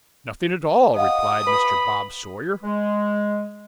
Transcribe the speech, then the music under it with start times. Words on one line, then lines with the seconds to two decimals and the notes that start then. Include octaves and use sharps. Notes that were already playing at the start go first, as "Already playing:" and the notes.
'Nothing at all,' replied Mr. Bob Sawyer.
0.96 D#5 F5 F#5 D#6
1.47 B4 B5
2.63 G#3